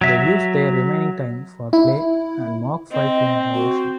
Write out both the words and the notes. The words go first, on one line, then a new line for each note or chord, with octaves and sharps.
They use their remaining time for play and mock fights in the ocean.
F#3 E5
E4
C4 D#5
F#4